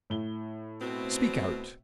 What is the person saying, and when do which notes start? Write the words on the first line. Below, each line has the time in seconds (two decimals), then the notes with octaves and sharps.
"Speak out."
0.10 A2 G7
0.80 B2 C4